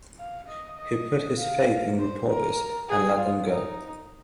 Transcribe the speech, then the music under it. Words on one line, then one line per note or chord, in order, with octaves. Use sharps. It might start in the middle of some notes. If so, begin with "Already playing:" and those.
He put his faith in reporters and let them go.
F5
D#5
D#5
F5
C5
A#4
G#4
F4
D#4